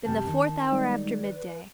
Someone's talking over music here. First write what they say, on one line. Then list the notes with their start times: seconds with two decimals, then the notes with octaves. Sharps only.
'Then the fourth hour after midday.
0.05 F#2 C3 G3 A5
0.27 D#3
0.72 G3 G#3 D#4 D5
1.24 B4